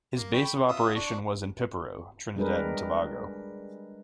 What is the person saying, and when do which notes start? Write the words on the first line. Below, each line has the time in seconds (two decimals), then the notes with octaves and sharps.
His base of operation was in Piparo, Trinidad and Tobago.
0.17 A#3
0.34 G5 B5 C#6
0.68 F4 E5 D#6
0.95 D4 C#6
2.36 G3 G#3 D4 G#4 A#4 B4